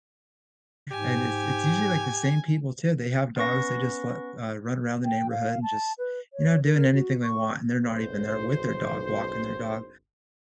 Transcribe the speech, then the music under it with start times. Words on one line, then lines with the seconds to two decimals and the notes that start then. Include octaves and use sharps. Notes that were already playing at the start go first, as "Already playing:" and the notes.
and it's it's usually, like, the same people too, they have dogs, they just let uh, run around the neighborhood and just, you know, doing anything they want, and they're not even there with their dog walking their dog.
0.91 G#2 G4 G#5
3.36 B3 C#4 B4 C#6 A#6
5.05 G5
5.31 F5
5.63 A5
5.99 B4
6.33 C#5
6.65 A#4
6.94 F#4
7.23 C#6
7.85 F#1 B1 C5